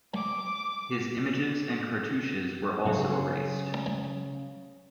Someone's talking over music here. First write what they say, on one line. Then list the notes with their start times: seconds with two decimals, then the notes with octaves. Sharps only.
His images and cartouches were also erased.
0.13 D6
2.86 C#3 F#3